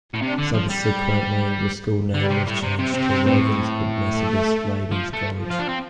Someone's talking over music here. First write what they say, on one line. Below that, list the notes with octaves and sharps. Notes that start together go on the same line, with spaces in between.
Subsequently, the school name was changed to Ravenswood Methodist Ladies' College.
A2
C3 D4
D3
F3
G3
D3 G3
C3
A2
C3
C3 C4
C3
C3
A2
A3
F3
A3
F3
F4
D4
C4